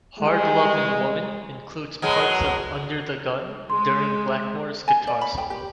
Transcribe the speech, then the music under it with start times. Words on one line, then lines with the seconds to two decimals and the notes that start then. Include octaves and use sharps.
"Hard Lovin' Woman" includes parts of "Under the Gun" during Blackmore's guitar solo.
0.19 E3 G3 G#3
2.02 B2 F#3 G#3
3.70 G#3 C6
4.88 G#5
5.07 D5
5.21 B5
5.38 G5
5.50 G4